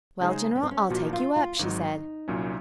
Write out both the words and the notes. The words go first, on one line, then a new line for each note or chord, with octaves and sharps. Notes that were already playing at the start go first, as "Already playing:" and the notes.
"Well, general, I'll take you up," she said.
C#3 G#3 D#4 G#4 C5
C#4
C4
C#4
A#1 A#2 F3 A#3 F#4
F4
F4
G#1 G#2 F#3 D#4
C2 A#2 F#3 C#4